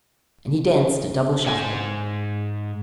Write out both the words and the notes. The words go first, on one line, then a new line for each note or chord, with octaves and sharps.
And he danced a double shuffle.
G#2 G#5